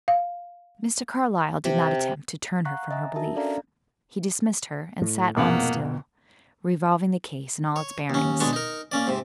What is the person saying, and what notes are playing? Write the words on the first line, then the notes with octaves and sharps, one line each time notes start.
Mr. Carlyle did not attempt to "turn her from her belief." He dismissed her, and sat on still, revolving the case in all its bearings.
F5
C3
F5 F#5 A#5 C#6 F#6
D#5 E5 G#5 A#5
D4 F#4 A#4 E5 A5
C#4 D4 A4 D5 F5 A#5
A2
C2 F2 G#2 B2 A#3 B3
C#5
D#2 C#4
B2 G#3 D4 C#5
D#4 A#4
A#3 C#4 D5
G#2 C3